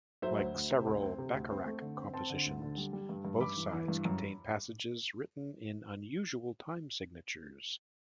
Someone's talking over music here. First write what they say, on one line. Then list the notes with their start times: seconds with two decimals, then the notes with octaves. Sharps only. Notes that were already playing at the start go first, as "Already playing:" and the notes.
Like several Bacharach compositions, both sides contain passages written in unusual time signatures.
0.22 F#3 C5 E5
0.38 D2
0.54 D2
0.70 C3
0.87 D2
1.03 C4
1.18 C3
1.34 D2
1.50 C4
1.66 A3
1.81 D3
1.97 C4
2.14 C4 A5 C6
2.30 D3
2.46 D2
2.62 D3
2.77 G3
2.93 G3
3.09 G2
3.25 G2
3.40 G2 B5 D6
3.56 E3
3.73 E3
3.88 G2
4.05 F#2